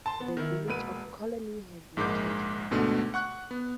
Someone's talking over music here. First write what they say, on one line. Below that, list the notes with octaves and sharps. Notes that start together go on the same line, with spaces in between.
The village of Coolaney has no church within it.
A5 C6
B3
D#3 E4
E1 A#2 B4 D#7
A#1 G#2 G#3 A#4 D6 G6
D2 G#2 B2 D3 A3
F#5 C#6 F#6
B3